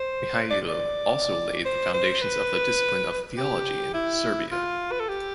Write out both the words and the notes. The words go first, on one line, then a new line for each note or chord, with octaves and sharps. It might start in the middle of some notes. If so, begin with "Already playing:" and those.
Mihailo also laid the foundations of the discipline of theology in Serbia.
Already playing: C5
D5
D5
C5
C5
B4
G4
E4
F4
B4
A4
G4